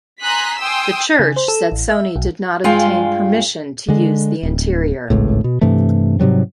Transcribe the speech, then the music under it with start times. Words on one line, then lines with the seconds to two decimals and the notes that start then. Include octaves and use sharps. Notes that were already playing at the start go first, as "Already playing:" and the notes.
The Church said Sony did not obtain permission to use the interior.
0.23 G#5 A#5 C6 D#6 F#6 B6
0.59 G5 G#5 C6 D#6 E6
1.19 C#3
1.36 C5
1.48 A4
1.72 A1
1.91 E5
2.16 B1
2.64 G2 G#3 F4 F5 G5 G#5
3.88 D3 G#3
4.43 D1
5.10 G#1 C#2 A2
5.44 B2
5.61 G2 C3 E3 A3
6.20 G#2 C3 F#3 G3